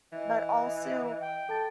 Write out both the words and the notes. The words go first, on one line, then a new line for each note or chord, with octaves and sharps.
but also
E3 D#5
G5
A4 A5 A6